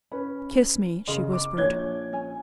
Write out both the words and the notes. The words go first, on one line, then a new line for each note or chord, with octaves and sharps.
"Kiss me," she whispered.
C#4 B4 B5
C#3 D#5 C6
D6
A#1 D4 C#5 G#6 G7
C#4 C#5 G#5